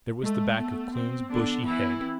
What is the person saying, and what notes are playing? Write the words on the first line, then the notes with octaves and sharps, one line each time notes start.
There was the back of Kloon's bushy head.
G#3 A3
B3
C4
D3 B3 D4
E3 E4
C4